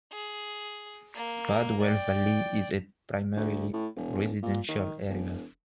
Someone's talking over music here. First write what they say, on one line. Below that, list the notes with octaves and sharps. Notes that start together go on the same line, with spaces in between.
Bardwell Valley is a primarily residential area.
G#4
A#3
D5 G5
D2
A2
E1
A#2
D#3
E1